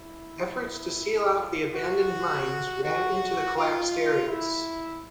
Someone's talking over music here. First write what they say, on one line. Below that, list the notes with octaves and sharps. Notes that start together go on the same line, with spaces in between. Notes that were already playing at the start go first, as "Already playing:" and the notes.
Efforts to seal off the abandoned mines ran into the collapsed areas.
Already playing: E4
F4
F#4
F#4
F4
E4